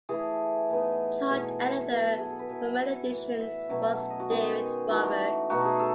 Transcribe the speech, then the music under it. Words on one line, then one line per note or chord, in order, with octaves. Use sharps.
Chart editor for many editions was David Roberts.
E3 A3 E4 G#4
A2 E3 B3 D#4
B2 A3 E4 G#4
B2 F#3 B3 A4
G#4
A4
B4
F#3 B3 E4 G#5
F#5
A2 E3 B3
E5
B2 F#3 A3 C#4
F#5
D#5
F#4
D#3 G#3 B3 G#4
E3 A3 D#4 F#4
B2 A3 D#4 F#4
G#4
A4